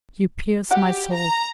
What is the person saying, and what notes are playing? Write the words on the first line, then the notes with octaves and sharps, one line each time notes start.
You pierce my soul.
F#4 G4 D5 F#5
A#5